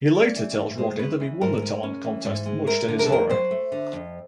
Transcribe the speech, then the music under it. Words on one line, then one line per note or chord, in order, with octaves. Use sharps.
He later tells Rodney that he won the talent contest, much to his horror.
C#4 D5
E3
G#2
G#3 C5
C#4 B4
E3
G#2 A#4
G#3
C#4
E3
G#2
G#3
A3 A#4
D3
A#4
A4
F2 A#4
F#3 C5
A3
D3
F2